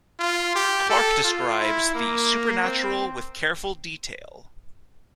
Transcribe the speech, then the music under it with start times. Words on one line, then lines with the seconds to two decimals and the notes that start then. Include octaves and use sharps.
Clarke describes the supernatural with careful detail.
0.19 F4
0.55 G4
0.89 A4
1.24 F4
1.60 E4
1.95 A#3
2.64 C4